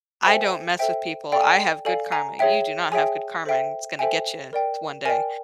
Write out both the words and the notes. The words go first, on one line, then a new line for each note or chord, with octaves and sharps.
"I don't mess with people. I have good karma. You do not have good karma, and it's gonna get you one day."
A4 C5 E5 G5 G#5
A4 C5 E5 G5
A4 D5 F5 G5
G#5
G5
A4 D5 F5 G#5
G#5 A#5
G#4 C#5 E5 G5
G#4 C#5 E5 G5 G#5
A4 C5 E5 G5
A4 C5 E5 G5 G#5
A#4 D5 G5
A#4 D5 G5 G#5